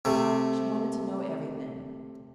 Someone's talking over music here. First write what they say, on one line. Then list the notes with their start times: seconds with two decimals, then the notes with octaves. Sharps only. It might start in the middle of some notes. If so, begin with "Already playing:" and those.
She wanted to know everything.
0.05 C3 A3